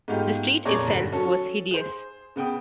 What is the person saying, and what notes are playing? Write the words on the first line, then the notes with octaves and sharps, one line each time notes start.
The street itself was hideous.
G#2 A3 B3 F4 G4
F2 A#2 G#4 C#5 D5 A#5
G2 D3
F#3 C#4 A4
G#4 C5
C#3 B3 G5 D#6